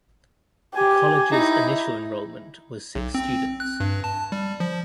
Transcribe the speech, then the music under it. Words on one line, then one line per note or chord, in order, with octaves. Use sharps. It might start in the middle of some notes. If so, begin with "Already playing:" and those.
The college's initial enrollment was six students.
G4 G#5
D#4 E4
B1
C4
F#6
G2
A5
G3
F3